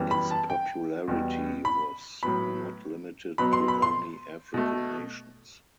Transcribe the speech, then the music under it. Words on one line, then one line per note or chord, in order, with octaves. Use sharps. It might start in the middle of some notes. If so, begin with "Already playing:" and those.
Its popularity was not limited to only African nations.
Already playing: F#2 E3 G3 B3
B5
A5
G5
E2 B2 G3 B3
B5
A2 F#3 B3 B5
B2 F#3 B3 B5
C6
B5
C6
B2 A3